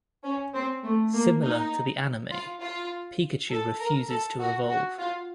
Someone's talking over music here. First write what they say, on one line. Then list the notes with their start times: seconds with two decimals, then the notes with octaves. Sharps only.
Similar to the anime, Pikachu refuses to evolve.
0.24 C#4
0.54 C4
0.84 A3
1.13 A#3
1.43 D#4
2.31 F4
2.61 F4
3.51 A4
3.79 A#4
4.09 A4
4.40 F#4
4.69 F#4
4.98 F4